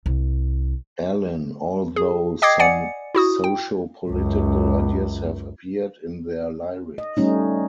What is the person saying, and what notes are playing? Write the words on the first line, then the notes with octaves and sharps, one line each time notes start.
Allin, although some socio-political ideas have appeared in their lyrics.
C2
G#4
D#5 G5 D6 D#6 G#6 C7
D5 F#5 G#5 C#7
E4 F#4 D#6
G5
C#2 F#2
D#5
G3 A3 C#4 D#4